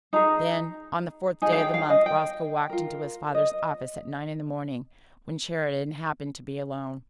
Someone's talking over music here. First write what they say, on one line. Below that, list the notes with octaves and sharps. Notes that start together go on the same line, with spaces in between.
Then, on the fourth day of the month, Roscoe walked into his father's office at nine in the morning, when Sheridan happened to be alone.
D#4 G#4 A#5
D#4 G#4 G#5
F5
G5
F5
D#5
G5
F4 A#4
D#5